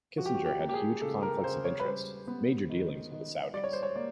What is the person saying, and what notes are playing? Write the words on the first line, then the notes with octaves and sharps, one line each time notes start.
Kissinger had huge conflicts of interest -- major dealings with the Saudis...
F3 F#4
G4
F#4
G4
A#3
G4
G#4
C#3 A4
A#4
C#3 C5
C#5
B4
G3 C5
B3
D#3
D#3
G3 D5
C#5
C5
C#5
A#3 D5